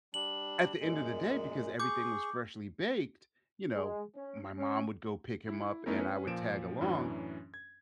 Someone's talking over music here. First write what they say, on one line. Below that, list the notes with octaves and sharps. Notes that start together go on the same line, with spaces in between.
at the end of the day, because everything was freshly baked, you know, my mom would go pick him up and I would tag along,
G3 D4 F#7
F#2 A#2 G#3
G#4 C#6 D6 G6
G#3
C#4
C#4
E4
A3 B3 C#4 D#4 E4 A#4
C#4 B4
A#2 F3 D7 E7
F#2 A2 E3 C#4 D4
G#6